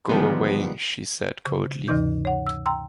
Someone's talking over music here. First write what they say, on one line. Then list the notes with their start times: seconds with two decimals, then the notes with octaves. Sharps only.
"Go away," she said coldly.
0.09 D3 D#3 F3 G3 G#3 B3
1.46 C#3
1.88 D2 G2 C3 E3 D#4 G6
2.25 C#5 F#5
2.47 E6
2.66 G5 A#5 C6 E6